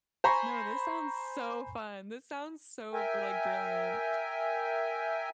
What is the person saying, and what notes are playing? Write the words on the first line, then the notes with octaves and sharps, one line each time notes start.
No, this sounds so fun. This sounds so brilli brilliant.
C5 G#5 A#5 B5 C#6
A#4 E5 G5 G#5